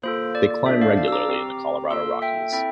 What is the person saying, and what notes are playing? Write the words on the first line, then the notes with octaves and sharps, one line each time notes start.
They climb regularly in the Colorado Rockies.
A#3 F4 A4 C5
D5
D5
D4 F4 A4 C5 E5
D5 F5
D5 F5
E6
A#5 D6
C4 G4
A#3 F4 A4 C6 E6
E5 G5
C4 E4 A4 E5 G5